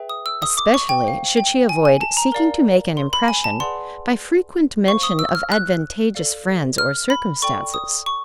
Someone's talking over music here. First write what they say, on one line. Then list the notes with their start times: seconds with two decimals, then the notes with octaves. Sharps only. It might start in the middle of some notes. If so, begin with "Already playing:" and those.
Especially should she avoid seeking to make an impression by frequent mention of advantageous friends or circumstances.
Already playing: G#4 B4 E5 G5
0.09 D#6
0.26 E6
0.42 D#6
0.58 D6
0.74 C#6
0.89 G5
1.05 C5 F5
1.37 G5
1.69 G#5
1.85 G#5
2.01 A5
2.17 A#5
2.32 A#4 D5 F5
2.97 C6
3.13 B5
3.28 G#5
3.44 A5
3.60 G#4 B4 D5 F#5 C6
4.87 C5 F5 C#6
5.03 D#6
5.19 E6
5.35 F6
5.52 F#6
6.15 A4 D5 F5
6.78 F6
7.10 B5
7.42 A4 D5 G5 C#6
7.74 D#6
8.06 C#6